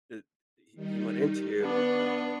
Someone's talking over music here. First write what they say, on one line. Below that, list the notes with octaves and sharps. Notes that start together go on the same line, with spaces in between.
that he he went into, uh,
D#3 G3 D#4
B3 D4 C#6